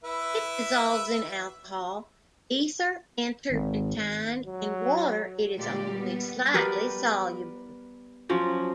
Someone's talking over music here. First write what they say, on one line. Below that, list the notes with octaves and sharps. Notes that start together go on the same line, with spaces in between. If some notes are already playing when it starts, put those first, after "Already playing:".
It dissolves in alcohol, ether and turpentine; in water it is only slightly soluble.
E4 B4 E5
G#1
F#3
A#2 D3 G#3 G4 D5
G3 B3
G3 B3 A#4 B4
F3 F#3 C#4